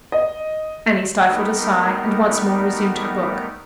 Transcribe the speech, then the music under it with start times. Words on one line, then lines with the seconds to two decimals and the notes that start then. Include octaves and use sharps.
Annie stifled a sigh, and once more resumed her book.
0.12 D#5
1.28 G3 A3 B3 D#4 A#4